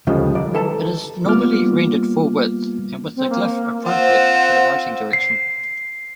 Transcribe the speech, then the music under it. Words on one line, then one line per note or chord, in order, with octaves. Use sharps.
It is normally rendered fullwidth and with a glyph appropriate to the writing direction.
D2 C#3 F3 G3 G#3
D#3 F#3 D5
E4 A4 B4 A5 A#5
G3 A#3 B3 F4 D6 F6
C4
A#3
C4 F4 C5 F#5
C7